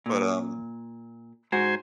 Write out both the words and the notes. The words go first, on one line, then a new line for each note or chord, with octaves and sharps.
but, um.
A#2
G#2 F#4 C5 G#5